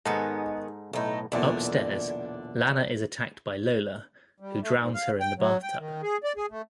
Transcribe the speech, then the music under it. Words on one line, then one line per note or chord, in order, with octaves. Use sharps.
Upstairs, Lana is attacked by Lola, who drowns her in the bathtub.
G#2 D#3 B3 D#4 G#4 A4
B1 A2 A3 D#4
B1 E2 A#2 D3 D4
G3
A3
G#2
F5
G5
F#3
G5
D#3
G#4
D5
G#4
A3